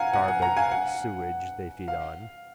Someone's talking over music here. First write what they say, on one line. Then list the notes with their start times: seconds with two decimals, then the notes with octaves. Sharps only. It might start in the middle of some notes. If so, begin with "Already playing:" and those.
Garbage, sewage they feed on.
Already playing: F5 F#5 G#5 A#5
0.13 F#5
0.28 F#5
0.42 F#5 A#5
0.56 F5 G#5
0.72 F#5
1.88 F5